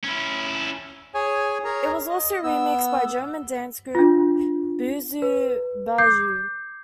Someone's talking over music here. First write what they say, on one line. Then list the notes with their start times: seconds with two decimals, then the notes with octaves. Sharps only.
It was also remixed by German dance group Boozoo Bajou.
0.04 C#4 E4
1.14 G#4 C#5 G#5
1.64 G#4 A#4 C#5 A#5
2.09 D#5
2.43 B3 E6
3.95 D4 F4
5.22 B4
5.98 D6 G6 C7